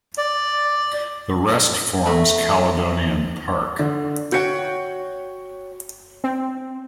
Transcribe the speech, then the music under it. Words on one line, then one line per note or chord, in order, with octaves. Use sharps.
The rest forms Caledonian Park.
D5
A3 F#4 B5
D3
F#4 C#5 G5 G6 C#7
C4